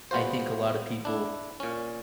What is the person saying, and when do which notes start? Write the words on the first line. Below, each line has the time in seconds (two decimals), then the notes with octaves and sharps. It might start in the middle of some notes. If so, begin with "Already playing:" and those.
I think a lot of people
0.11 G#3 B3 F4 F#4 C5
1.05 D4 E4
1.60 A#2 C#4